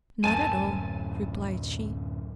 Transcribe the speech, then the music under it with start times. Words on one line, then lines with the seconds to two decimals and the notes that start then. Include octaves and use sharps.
"Not at all," replied she.
0.24 D1 F#2 G#5 A5